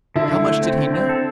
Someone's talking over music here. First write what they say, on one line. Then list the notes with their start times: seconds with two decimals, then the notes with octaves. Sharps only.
How much did he know?
0.16 D3 E4
0.32 D3
0.46 A3
0.63 C4
0.78 D3
0.94 C4
1.09 A4